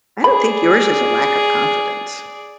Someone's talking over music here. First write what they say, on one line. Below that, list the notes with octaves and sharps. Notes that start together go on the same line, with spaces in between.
I don't think yours is a lack of confidence.
G#4 D5 B5